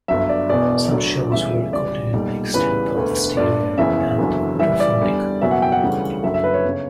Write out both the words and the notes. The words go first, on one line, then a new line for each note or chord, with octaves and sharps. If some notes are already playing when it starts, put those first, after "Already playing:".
Some shows were recorded and mixed in both stereo and quadraphonic.
G1 G2 F#3 E5
D5
E1 E2 B2 D5
D2 D3 F#3
E2 C#3 E3 G3 E5
E2 C#3 G3 D5
B1 A#2 G3
E2 C#3 E3 G3 B4
E1 D2 D3
G1 G2 D3 D5
F#1 E2 C#3 E3 E5
F#1 E2 D3 F#3
F#1 F#2 E3 G3 E5
D5
E2 D3 G3
F#1 E2 B2 F#3 E5
F#5
G5
F#5
D2 C#3 E3 G3
F#1 F#2 D3 F#3 E5
E5
B4
C#5
G1 C#3